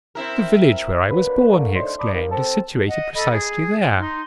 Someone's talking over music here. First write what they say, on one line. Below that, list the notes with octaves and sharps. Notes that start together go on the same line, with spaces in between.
'The village where I was born,' he exclaimed, 'is situated precisely there.
C4 E4 A#4
F#3 A#3 D4 B4
D3 A3 A#3
A2 D4 D#4 C5 C6
D4 D5 B5 C6 D6 D#6
D#2
C4 A4 A5
D#5 F#5
A4 D#5 B5
G#4
D#4 C6